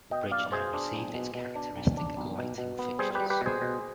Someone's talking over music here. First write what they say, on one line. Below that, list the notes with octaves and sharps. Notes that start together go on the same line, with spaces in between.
The bridge now received its characteristic lighting fixtures.
B2 D#5 G5
B1 D5 F5
B2 G#4 C5
D4
B1
B2
B2
D4
B1
D4
B1
B2
B2
B3
G3 G#4 C5
G4 B4
G3
G4 B4
B2 G#4 C5
B2